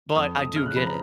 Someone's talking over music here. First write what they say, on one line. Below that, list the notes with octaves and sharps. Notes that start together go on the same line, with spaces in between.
But I do get it.
F2 D#6
F2 D#6
C#3 F6
F#6
F3 B5
A#5